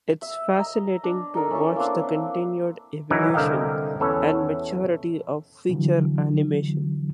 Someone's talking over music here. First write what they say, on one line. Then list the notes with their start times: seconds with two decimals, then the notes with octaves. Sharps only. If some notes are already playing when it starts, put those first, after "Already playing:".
It's fascinating to watch the continued evolution and maturity of feature animation.
0.22 E5
0.59 D#5 A#5
1.04 D4
1.34 D4 D#4 A4 A#4
1.51 C#4 E4 A5 C#6
1.76 A#3 C4 D4
3.10 E3 F#3 D#4 A#4 B4 G#5
3.34 C2 D3 A#4 D#5 F5 G5
4.00 E2 C#4 A4 B4 C#5
5.69 D3 E3 F#3